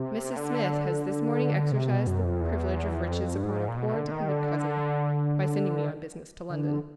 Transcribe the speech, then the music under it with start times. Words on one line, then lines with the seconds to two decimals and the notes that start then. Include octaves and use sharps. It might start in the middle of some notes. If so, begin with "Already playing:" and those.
Mrs. Smith has this morning exercised the privilege of riches upon a poor dependent cousin, by sending me on business to London.
Already playing: C3
0.37 D3
1.72 C3
1.89 B2
2.07 F#2
2.24 F2
2.41 E2
3.08 F2
3.35 G2
3.43 G#2
3.68 A#2
3.77 B2
3.94 D3
4.11 D#3
4.28 D3
6.50 D3